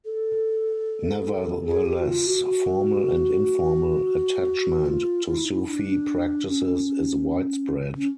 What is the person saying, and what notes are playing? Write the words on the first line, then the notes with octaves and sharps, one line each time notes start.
Nevertheless, formal and informal attachment to Sufi practices is widespread.
A4
G#4
G4
F#4
F4
F#4
F#4
F4
F4
E4
D#4
E4
D4
C#4
C#4